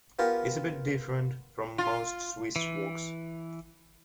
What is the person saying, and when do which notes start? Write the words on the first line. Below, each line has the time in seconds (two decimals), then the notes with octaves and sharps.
It's a bit different from most Swiss works.
0.19 B3 F4 G4 A#4
1.78 F4
2.56 E3